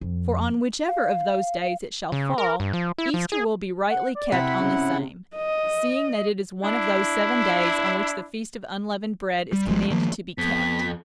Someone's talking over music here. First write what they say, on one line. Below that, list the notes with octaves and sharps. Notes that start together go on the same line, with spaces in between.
For on whichever of those days it shall fall, Easter will be rightly kept on the same; seeing that it is one of those seven days on which the feast of unleavened bread is commanded to be kept.
F2
F5
C#3
A#4
G2
F3
E4
F3
G#4
F#5
D5
C3 E4 F#5 B6
C#3
D#5
D4 E4
G3
G#1 G#2 F3 G#3
D#3 F3 A#3
F2 B3 B6